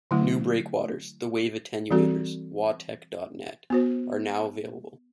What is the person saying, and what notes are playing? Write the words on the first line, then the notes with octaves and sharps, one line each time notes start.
New breakwaters, the wave attenuators - wawtech dot net - are now available.
D3 F#3 A3 E4
E3 G3 C4 F#4 A4
B3 F#4 C5